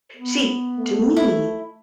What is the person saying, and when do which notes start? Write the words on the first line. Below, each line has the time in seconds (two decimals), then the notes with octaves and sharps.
See, to me,
0.17 B3
0.78 A3
1.17 E4